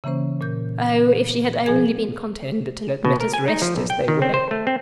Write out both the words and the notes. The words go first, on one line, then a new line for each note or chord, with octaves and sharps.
Oh, if she had only been contented to let matters rest as they were!
C#3 E3 A#3 C#4 C5
A#2 A#4 G6
B2 F3 G#4 G#5 G#6
B2
A#4
G#5
D#4
F3
B1
G5
D#3
C4
C5
A3
C4